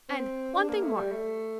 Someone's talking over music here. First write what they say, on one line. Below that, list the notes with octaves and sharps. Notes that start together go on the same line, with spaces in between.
And--one thing more!
C4
D4
A#3
A3
G3
A3